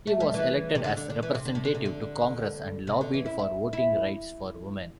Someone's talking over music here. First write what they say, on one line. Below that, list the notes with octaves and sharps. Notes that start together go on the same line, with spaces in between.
He was elected as representative to congress and lobbied for voting rights for women.
A3
G3
E3
C3
D3
D3
D3
E3
C3
D3
C3
D3
C3
D3
C3
D3
E3
E4
E4
E4